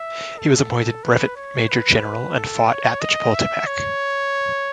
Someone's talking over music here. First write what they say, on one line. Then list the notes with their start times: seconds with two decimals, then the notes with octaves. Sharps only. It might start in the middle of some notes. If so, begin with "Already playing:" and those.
He was appointed brevet major general and fought at the Chapultepec.
Already playing: E5
0.39 A4
1.04 B4
1.36 C#5
1.69 B4
2.35 A4
2.68 C#5
3.01 D#5
3.34 E5
3.67 C#5